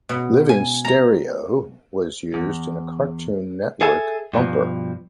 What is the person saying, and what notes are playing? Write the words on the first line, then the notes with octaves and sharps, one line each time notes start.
"Living Stereo" was used in a Cartoon Network bumper.
B2
G#5
A#5
E2
G#4 A4 E5 G#5
G2 B2 D#3 F3